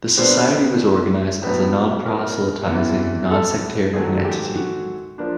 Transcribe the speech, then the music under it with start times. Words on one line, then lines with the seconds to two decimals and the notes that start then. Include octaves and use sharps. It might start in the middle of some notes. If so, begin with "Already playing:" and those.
The Society was organized as a non-proselytizing, non-sectarian entity.
0.17 A#2 G3 B3 D4 C5
1.42 A2 F#3 B3 B4
2.06 A#4
2.67 E2 C3 E3
3.31 A4
3.93 G#2 D#3 F#3 A3 G#4
4.25 G4
4.56 F#4
5.18 F3 A#3 D4